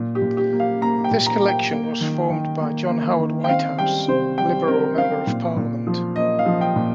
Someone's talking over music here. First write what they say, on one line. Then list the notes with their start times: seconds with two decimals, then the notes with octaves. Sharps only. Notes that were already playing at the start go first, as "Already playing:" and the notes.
This collection was formed by John Howard Whitehouse, Liberal Member of Parliament.
Already playing: A#2
0.15 G4
0.22 A#2
0.37 G4
0.53 A#3
0.60 F5
0.81 A#3 A#5
1.04 G5
1.11 A#2
1.26 A#5
1.42 A#3
1.48 G5
1.71 A#3
2.01 D#3
2.30 D#3
2.60 A#3
2.89 A#3
3.19 D#3
3.44 G5
3.49 C4 F5
3.79 G3 G5
4.08 C3 C5
4.38 G3 G5
4.68 C4 A#4
4.97 C4 F5
5.27 A#2
5.57 A#2
5.87 F3
6.16 A#3 D#5
6.39 F5
6.46 F3
6.61 G5
6.76 A#2